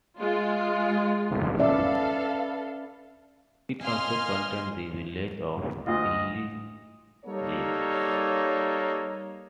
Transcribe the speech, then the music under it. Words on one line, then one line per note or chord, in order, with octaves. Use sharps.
It also contains the village of Killyleagh.
G#3 F4
C#4 A4 B4 D5 E5 F5
D#5 F5 G#5 C6 F6
D2 F4 D#5
G3 A#3 D#4 A4 C#5